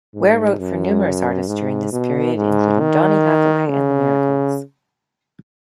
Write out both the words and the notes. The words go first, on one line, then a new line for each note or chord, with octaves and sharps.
Ware wrote for numerous artists during this period including Donny Hathaway and The Miracles.
G#2
F#2
G#2
B2
G#2
D#3
C#3